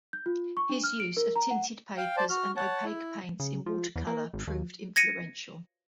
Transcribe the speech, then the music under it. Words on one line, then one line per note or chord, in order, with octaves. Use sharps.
His use of tinted papers and opaque paints in watercolour proved influential.
G6
F4
C#6
D4
F6
D7
A#4
A#5
F#5
F5 G5
C5 D5 A5
F#4 F6
C#5 F#5 A5
E4
C#3
F3
E2
A#3
G#1
D#2
G#6 A#6 C#7 D#7